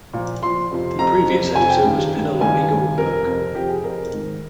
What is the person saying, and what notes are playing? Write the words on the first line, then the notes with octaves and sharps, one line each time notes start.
The previous editor was Pinelopi Goldberg.
A#2 F3
A#2 F3 C6
F2 C3 F3
F2 C3 F3 A#5
F2 C3 F3
F2 C3 F3 G#5
G5
G2 D#3
G2 D#3
G2 D#3 G#5
G2 D#3
F2 C3 F3 A#4
F2 C3 F3
F2 C3 F3 G4
G#4
F2 C3 F3 A#4
G#2 D#3